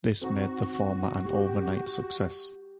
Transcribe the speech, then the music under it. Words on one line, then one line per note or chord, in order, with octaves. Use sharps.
This made the format an overnight success.
C4 D#4 F#4
G4